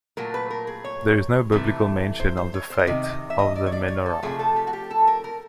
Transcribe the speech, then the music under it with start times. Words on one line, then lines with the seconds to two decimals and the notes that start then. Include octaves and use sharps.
There is no biblical mention of the fate of the menorah.
0.17 A#2 F#3 A3 A#4
0.34 B4
0.50 A#4
0.67 G#4
0.84 C#5
1.52 C3 E3 A3
2.20 C5
2.37 C5
2.54 C#5
2.70 C5
2.79 D#5
2.87 C3 D#3
3.04 D#5
3.30 E5
3.39 D#5
3.55 D5
3.66 C#5
3.72 D5
3.88 C#5
4.06 A4
4.23 C3 F3 A3 G#4
4.39 A4
4.56 G4
4.67 F#4
4.73 G4
4.91 A4
5.07 A#4
5.24 A#4